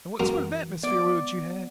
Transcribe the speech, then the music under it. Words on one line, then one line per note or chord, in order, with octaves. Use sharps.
And what sort of atmosphere would you have?
F#2 E3 A#3 G5
B3 D5